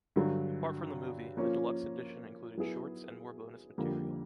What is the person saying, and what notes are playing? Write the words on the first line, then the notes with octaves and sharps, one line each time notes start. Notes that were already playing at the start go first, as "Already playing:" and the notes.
Apart from the movie, the deluxe edition included shorts and more bonus material.
G2 D3 F#3
F3 A#3 C#4 F4
F#3 B3 E4 G#4
F2 D3 G3 A#3